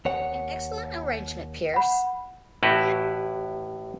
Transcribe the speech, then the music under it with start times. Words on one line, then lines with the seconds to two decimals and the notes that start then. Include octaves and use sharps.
An excellent arrangement, Pearce.
0.05 D#2 C#5 F#5
1.74 F#5 B5
2.63 A1 A2 E4 F#4 G4 B4